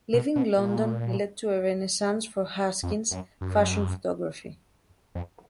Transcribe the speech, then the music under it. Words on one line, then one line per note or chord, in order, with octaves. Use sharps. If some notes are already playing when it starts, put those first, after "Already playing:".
Leaving London led to a Renaissance for Haskins’ fashion photography.
B2
B2
A#2
F2
F#2
F#2
F2